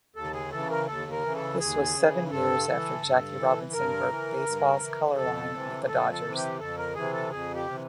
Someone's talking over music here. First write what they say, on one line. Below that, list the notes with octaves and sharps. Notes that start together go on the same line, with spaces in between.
This was seven years after Jackie Robinson broke baseball's color line with the Dodgers.
D#2 A4
G#4
C#3 E3 A4
A#4
D#2 A4
A#4
C#3 E3
A4
D#2 G#4
C#3 E3
G2 A4
E3
G2
E3
G2 A#4
E3
G2
E3
F2 A4
C3 E3
F2 A4
A4
C3 E3
G4
F2 A4
A#4
C3 E3 G#4
A4
F2 G#4
G4
C3 E3